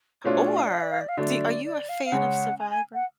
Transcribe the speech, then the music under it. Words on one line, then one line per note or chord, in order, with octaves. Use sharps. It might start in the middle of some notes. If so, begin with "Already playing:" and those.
Or do are you a fan of Survivor?
B2 A3 D4 F4 C#5
D5
F5
D5
F5
D5
F5
D5
F5
D3 F#3 A3 D5
D5
F5
F5
C#3 G#3 C#4 F#5
G#5
G#5
F#5